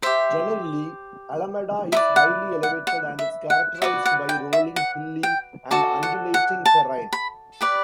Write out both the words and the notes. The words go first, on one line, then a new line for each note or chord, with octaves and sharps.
Generally, Alamada is highly elevated and its characterized by rolling, hilly and undulating terrain.
G4 C5 E5
E4 B4 D5 E5
F#5
F#5
F#5
E5
F#5
F#4 B4 D5 E5
F#5
G5
E5
F#5
G5
F#4 A4 D5 A5
F#5
F#5
A5
B5
G4 B4 D5